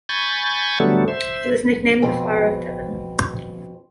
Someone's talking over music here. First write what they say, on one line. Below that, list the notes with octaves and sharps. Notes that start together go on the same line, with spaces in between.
He was nicknamed "the flower of Devon".
G#5 B5 C#6 G6 A6
D3 F#3 G3 A3 B3 A4
C5 E5
F2 B2 C4 G#4